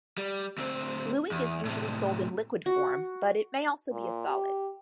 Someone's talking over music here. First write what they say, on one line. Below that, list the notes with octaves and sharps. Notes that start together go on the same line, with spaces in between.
Bluing is usually sold in liquid form, but it may also be a solid.
G3
D2 C4
E2
A2 C3
F#4
A#2
G4